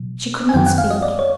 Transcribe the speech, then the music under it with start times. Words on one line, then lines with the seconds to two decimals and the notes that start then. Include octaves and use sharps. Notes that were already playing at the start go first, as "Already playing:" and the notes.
She could not speak.
Already playing: B2 F#3
0.49 G#5
0.54 F#2 D#3 F#3 G5
0.66 F#5
0.78 F5
0.91 D#5
1.03 D5
1.19 C#5